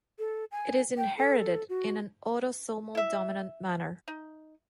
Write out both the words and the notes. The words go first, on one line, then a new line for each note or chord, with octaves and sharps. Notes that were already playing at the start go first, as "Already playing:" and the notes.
It is inherited in an autosomal dominant manner.
A4
G#5
G5
A4
F#4
E4 E5
D#4